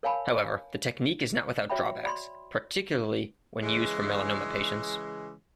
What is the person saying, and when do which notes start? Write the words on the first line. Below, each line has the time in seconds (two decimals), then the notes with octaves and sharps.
However, the technique is not without drawbacks, particularly when used for melanoma patients.
0.03 A#4 C#5 F5 G#5 A5 B5
1.70 F#4 C#5 E5 G5 B5
2.04 D5 B5 C6
3.62 C#3 E3 G#3